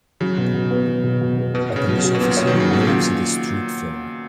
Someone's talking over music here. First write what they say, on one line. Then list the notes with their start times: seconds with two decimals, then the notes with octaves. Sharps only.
A police officer waves at a street fair.
0.21 C#3 F#3
0.38 B2
0.54 B2
0.71 B3
0.88 F#3
1.04 B2
1.21 B2
1.37 B3
1.54 B2 B3
1.70 C#5
1.76 C#3
1.87 B2 F#3
1.99 C#3
2.04 F#4
2.15 B2
2.20 A#2 B3
2.37 C#5
2.47 D#3
2.54 F#3
2.60 C#3
2.71 B2 F#4
2.87 A#2 C#3